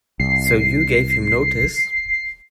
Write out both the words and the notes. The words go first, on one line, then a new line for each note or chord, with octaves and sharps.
So you gave him notice?
C2 C7